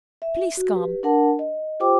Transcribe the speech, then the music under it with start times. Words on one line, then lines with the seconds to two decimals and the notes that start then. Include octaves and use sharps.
Please come!
0.22 E5
0.57 F#4
0.73 G4 B4
1.03 D4 A#4 F#5 A5
1.39 D#5
1.80 F4 G4 C5 G5 D6